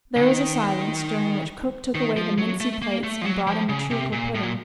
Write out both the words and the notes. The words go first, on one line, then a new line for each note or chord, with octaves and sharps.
There was a silence, during which cook took away the mincy plates and brought in the treacle-pudding.
C#3
D#3
D#3
F3
F#3
A3
A#3
A3
F3
F#3
F3
C#3
C3
A#2
A2
A#2